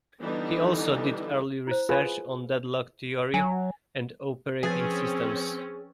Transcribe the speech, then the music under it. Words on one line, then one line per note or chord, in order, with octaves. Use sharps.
He also did early research on deadlock theory and operating systems.
D3 E3 G3 B3 D4 D#4
E4 C5
F4 G#4 B4
F#3 G#5
F3 C4 C#4 G#4 B4 A6